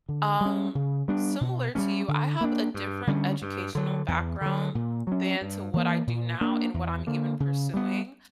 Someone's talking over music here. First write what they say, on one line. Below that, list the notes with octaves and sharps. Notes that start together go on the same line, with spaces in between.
Um, similar to you, I have a different educational background than to what I do now and what I'm even pursuing.
D3
G3 C#4
C#3
G3 B3 D4
B2
G3 A#3 C#4
D3
A#3 D4
G2
D3 G3 C#4
G2
D3 F#3
E2
D3 F#3
A#2
F#3 C#4
G2
E3 A#3
A#2
A#3 D4
E2
D3 A#3
C#3
G3 B3